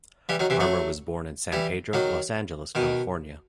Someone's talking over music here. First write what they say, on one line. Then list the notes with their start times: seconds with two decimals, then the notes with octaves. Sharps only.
Armour was born in San Pedro, Los Angeles, California.
0.29 E3 G3
0.39 D#3 F#3
0.50 C3 E3
0.60 F#3 A3
1.52 E3 G3
1.93 D#3 F#3
2.75 B2 D#3